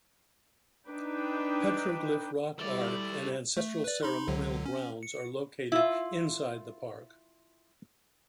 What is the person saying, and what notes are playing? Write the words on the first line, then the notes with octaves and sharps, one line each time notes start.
Petroglyph rock art and ancestral ceremonial grounds are located inside the park.
D4 D#4 B4 G5
G3 A3 E4 D5
A3
B4 D5
D#4 B5 C6
C#2 D3 F#3
C#4
C#7
E4 F4